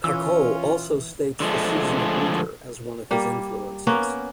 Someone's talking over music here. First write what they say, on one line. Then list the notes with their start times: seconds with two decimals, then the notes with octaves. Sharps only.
Kakko also states the season of winter as one of his influences.
0.04 E3 C#4 F4 E6
1.40 D3 F3 G#3 A3
3.11 G3 A#3
3.87 A#3 B3 C#4 A#4